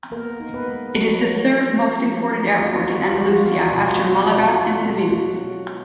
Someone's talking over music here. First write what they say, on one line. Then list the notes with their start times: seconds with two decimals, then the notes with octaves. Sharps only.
It is the third most important airport in Andalucia after Malaga and Seville.
0.12 A#3 B3 A#4
0.40 D#4
0.53 B3 B4
0.68 G#3
0.95 F3 F#3 F#4
1.23 B3
1.50 D#4
1.78 G#3
2.05 F3
2.33 B3
2.61 D#4 F4
2.68 F#4
2.77 F4
2.84 F#4
2.88 G#3 F4
2.99 F#4
3.06 F4
3.14 F3 F#4
3.22 F4
3.29 F#4
3.36 F4
3.44 B3 F#4
3.51 F4
3.60 F#4
3.67 F4
3.72 B2 F#4
3.82 F4
3.90 F#4
3.96 F4
4.00 G#3 F#4
4.11 F4
4.20 F#4
4.27 B2 F4
4.35 F#4
4.42 F4
4.49 F#4
4.55 B3 F4
4.65 F#4
4.73 F4
4.83 B2
5.10 F#3 G#3 F#4
5.38 B2
5.66 B3